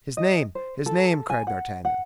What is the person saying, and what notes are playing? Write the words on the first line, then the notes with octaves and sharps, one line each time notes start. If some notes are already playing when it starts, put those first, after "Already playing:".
"His name; his name!" cried d'Artagnan.
D#5
C5
A4
G#5
F#5
F#5